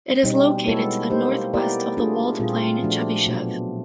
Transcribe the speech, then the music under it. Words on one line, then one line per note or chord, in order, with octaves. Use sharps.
It is located to the northwest of the walled plain Chebyshev.
B2 G3 C4 D#4
G#3 B3 E4 A4 C#5
A#3 D#4 G4 C5
B3 E4 G4 A#4 D5
A3 D4 F4 G#4
A#2 G3 C4 F4 G#4
F3 A3 D4 F#4
B2 F#3 B3 D4